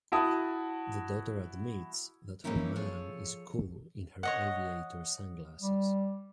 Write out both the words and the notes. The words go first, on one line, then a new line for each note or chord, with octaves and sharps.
The daughter admits that her mom is cool in her aviator sunglasses.
E4 F#4 A5 D#6
E3 F3 A#3 C#4 D#4 E4
F3 G#4 A4 C#5
C#5 D#5 F#5
G3